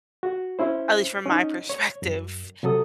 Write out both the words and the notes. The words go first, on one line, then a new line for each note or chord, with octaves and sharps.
at least from my perspective.
F#4
C#4 E4 C5
C#4 D#4
C#5
F#2
C3 F#3 A4 D#6